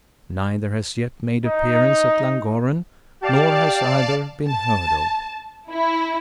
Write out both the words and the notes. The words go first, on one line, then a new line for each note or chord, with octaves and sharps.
Neither has yet made appearance at Llangorren, nor has either been heard of.
D#4
G4 D5 F5 A5
A5
E4